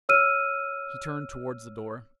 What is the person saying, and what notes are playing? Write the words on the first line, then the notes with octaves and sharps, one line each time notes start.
He turned towards the door.
C#5 E6 F6 D#7